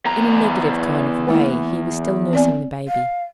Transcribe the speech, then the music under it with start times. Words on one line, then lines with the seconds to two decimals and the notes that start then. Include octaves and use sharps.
In a negative kind of way he was still nursing the baby.
0.05 E2 A#5
1.27 G#3 A#3 E4
2.33 C4 D5 G#5
2.88 F5